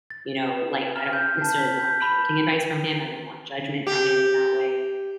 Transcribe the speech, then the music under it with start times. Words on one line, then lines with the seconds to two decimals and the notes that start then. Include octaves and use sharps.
you know, like I don't necessarily want parenting advice from him, I don't want judgment from him in that way,
0.10 A6
0.37 E7
0.96 F6
1.13 G6
1.42 A5
1.58 B6
1.79 G6
2.02 B5
3.87 G4